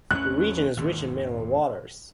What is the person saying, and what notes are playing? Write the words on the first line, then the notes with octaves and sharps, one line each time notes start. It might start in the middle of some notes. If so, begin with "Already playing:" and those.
The region is rich in mineral waters.
A1 E2 C#4 F#6
G#1 D#2